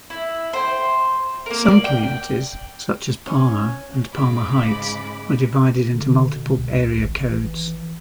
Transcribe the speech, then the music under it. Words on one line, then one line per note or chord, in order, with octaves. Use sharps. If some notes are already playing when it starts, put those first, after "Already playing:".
Some communities, such as Parma and Parma Heights, were divided into multiple area codes.
E4
C5 G5
A#3 A#4
D5
G5
C#4
G#2 C#3 G#3 B5 D6
D3
B2
C#2
G#1
E3